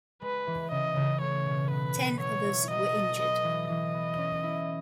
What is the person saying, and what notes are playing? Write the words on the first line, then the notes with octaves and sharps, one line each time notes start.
Ten others were injured.
G#3 B4
E3
C#3 D#5
C#3
A3 C#5
B2
B2 B4
B2
F#3 C#5
E4
F#3 D#5
A4
B3 D#5
E3
E3 D#5
B3
C#4
E4